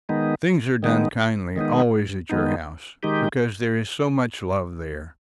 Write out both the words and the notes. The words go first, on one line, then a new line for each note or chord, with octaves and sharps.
Things are done kindly always at your house, because there is so much love there.
D#3 G#3 B3 D#4
D#3 G#3 B3 D#4
D#3 G#3 B3 D#4
D#3 G#3 B3 D#4
D#3 G#3 D#4 G4